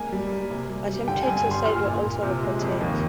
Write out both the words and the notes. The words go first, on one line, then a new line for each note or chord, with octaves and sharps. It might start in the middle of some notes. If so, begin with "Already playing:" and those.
Attempted suicides were also reported.
Already playing: G#3 A#3 G#5
G3
A#3
C3
G3
G3
D3 G5
G2 G#5
G#5
G3 C6
A#2 F6
A#2
A#2
C3
G#3
F2
D#2